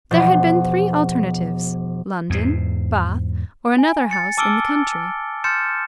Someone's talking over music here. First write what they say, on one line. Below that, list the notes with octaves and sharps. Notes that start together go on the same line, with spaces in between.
There had been three alternatives, London, Bath, or another house in the country.
E1 B2 F3 C5
E2 G#2
G#5
A6 C#7
A5 D6 E6 F6 D7 G7
C6 F6 G6 A6 C#7 E7